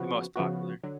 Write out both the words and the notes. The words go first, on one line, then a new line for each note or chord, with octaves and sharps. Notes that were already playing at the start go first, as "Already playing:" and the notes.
the most popular.
Already playing: C#3 F3 B3 F#4
C#3 F3 B3 F#4
D3 F#3